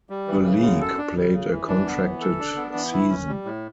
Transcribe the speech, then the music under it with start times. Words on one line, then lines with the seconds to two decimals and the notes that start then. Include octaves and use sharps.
The league played a contracted season.
0.10 G3
0.28 E3
0.45 C#3
0.62 F#2
0.81 A4
0.98 D4
1.16 G3
1.33 C#3
1.51 E3
1.68 D4
1.87 B3
2.04 E3
2.21 A4
2.40 D4
2.56 B3
2.75 E3
2.93 E4
3.09 C#4
3.27 G3
3.45 A2